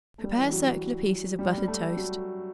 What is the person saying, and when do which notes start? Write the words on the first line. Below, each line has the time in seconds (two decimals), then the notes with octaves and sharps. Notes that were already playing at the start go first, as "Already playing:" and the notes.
Prepare circular pieces of buttered toast.
0.18 A3
0.24 G3
0.38 E3
0.52 F#3
0.67 F#3
1.39 G3
1.58 G3
1.68 A3
1.97 F#3